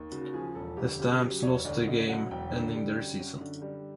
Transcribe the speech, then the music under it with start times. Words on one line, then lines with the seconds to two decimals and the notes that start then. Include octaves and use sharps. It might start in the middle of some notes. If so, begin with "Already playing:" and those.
The Stamps lost the game, ending their season.
Already playing: D#2
0.12 C#3 F#4
0.34 F3 G#4
0.55 E1 A4
0.77 D2 G4
0.99 C#3 G4
1.21 F#3 G4
1.43 E1 C#5
1.65 D2 D5
1.87 C#3 D#5
2.09 F#3 F#5
2.31 E1 G5
2.52 D3
2.74 G3
2.96 F#2
3.19 F#2
3.41 D3
3.62 G3